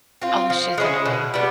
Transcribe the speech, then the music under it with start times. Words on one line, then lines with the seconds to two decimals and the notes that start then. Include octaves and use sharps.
Oh, she's annoying.
0.22 C4 F4
0.50 F3
0.78 G#3 C#4 E4
1.05 B2
1.34 G3 B3